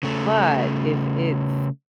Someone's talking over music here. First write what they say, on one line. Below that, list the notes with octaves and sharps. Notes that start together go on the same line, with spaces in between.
But if it's,
C#3 A3